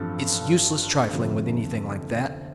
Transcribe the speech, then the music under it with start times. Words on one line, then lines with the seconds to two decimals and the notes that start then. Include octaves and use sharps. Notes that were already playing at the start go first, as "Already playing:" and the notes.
It's useless trifling with anything like that.
Already playing: A1 G2 F3 C4 A4
1.13 G1 F2 C3 F3